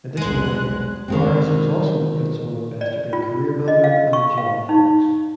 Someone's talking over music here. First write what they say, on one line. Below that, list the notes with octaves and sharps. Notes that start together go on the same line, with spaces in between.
Additionally, Barris was also the principal investor in CareerBuilder and JobFox.
B1 E2 G#3 C5 F#6
D#3 G#3 C4
D5
F4
D#5
F5
C#6
F5
D#4